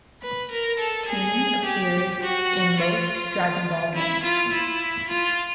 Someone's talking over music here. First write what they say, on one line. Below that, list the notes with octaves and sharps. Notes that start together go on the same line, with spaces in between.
Tien appears in most "Dragon Ball" games.
B4
A#4
A4
G#4
G4
F#4
F4
E4
F4
E4
F4